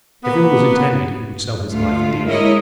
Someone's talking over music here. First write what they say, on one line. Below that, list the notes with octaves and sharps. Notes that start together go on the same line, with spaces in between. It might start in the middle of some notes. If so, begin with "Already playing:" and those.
If ill was intended, he would sell his life dear.
A#3 B3
D2 A3 F4
G#3 E4 A#4 C#5 D#5